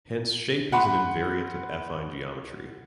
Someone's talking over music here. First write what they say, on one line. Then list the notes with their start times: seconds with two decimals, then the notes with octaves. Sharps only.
Hence shape is an invariant of affine geometry.
0.72 F#5 B5 C6